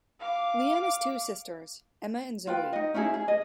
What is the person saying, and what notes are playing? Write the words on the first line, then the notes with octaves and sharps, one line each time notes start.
Leon has two sisters, Emma and Zoe.
F5 D6
F4 B4 G5
D#4 D#5
C#4 D#4 E4 G#4
G#4
D#5